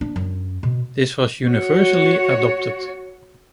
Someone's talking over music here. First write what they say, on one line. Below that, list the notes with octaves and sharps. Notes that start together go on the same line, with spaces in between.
This was universally adopted.
D4
F#2
B2
F#4 C#5